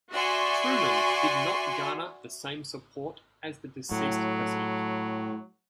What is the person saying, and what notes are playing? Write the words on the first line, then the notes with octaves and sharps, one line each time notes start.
Truman did not garner the same support as the deceased president.
F#4 D5 E5 G#5 C6 C#6
A2 F#3